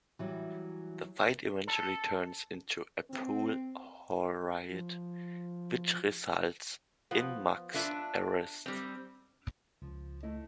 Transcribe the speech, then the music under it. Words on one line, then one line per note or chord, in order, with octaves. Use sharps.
The fight eventually turns into a pool hall riot, which results in Muggs's arrest.
E3 F#3 G3
A4
C4
F3
F3 B3
D4 F4 B4 E5
G3 C4
C#2 F3
A3 E4 D#5